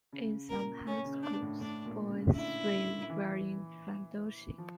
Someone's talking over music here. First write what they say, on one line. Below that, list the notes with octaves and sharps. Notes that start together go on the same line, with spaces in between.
In some high schools, boys swim wearing fundoshi.
C#3
A#2 A#4
C#4
C#3
C#3 D4
A2
A2 D4
A#2
C#3
D3 E4
D3
E3
F3